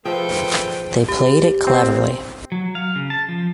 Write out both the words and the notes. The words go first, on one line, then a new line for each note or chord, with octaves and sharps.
They played it cleverly.
F3 A3 G#4 B4 C5 G5
G4
C4
F#3
F5
C#3
A5
F3